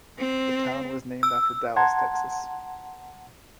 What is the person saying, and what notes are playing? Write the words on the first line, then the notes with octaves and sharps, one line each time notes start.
The town was named after Dallas, Texas.
C4
E6
F#5 A5 A#5 C6 G#6